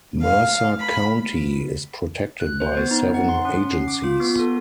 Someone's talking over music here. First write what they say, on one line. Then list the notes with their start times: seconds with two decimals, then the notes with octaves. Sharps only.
Mercer County is protected by seven agencies.
0.22 F5
0.78 B5
2.40 F#6
2.60 C5
2.77 B3
2.91 D#4
3.14 F#5
3.29 C6
3.45 C#4
3.72 C7
3.88 D6
4.04 F4
4.20 B3
4.39 A4